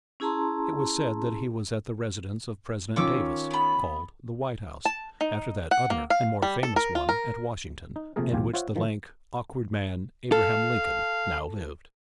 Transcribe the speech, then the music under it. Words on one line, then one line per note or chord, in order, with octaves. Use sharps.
It was said that he was at the residence of President Davis, called the White House, after that other and more famous one at Washington, in which the lank, awkward man, Abraham Lincoln, now lived.
C#4 E4 G#4 A5 A#5 C6
D#3 C#4 F4 C#6 D6 E6
B3 B5
A5
D#4
F#5
A#3
F5
G3
A4
A#4
F4
A#4
D#4
C3 F3 A3 A#3 G#4 A#4
B1 E2 F4 G4 G#5
F4 C5 C#5 E5 F#5
D#3 F3
A4 F5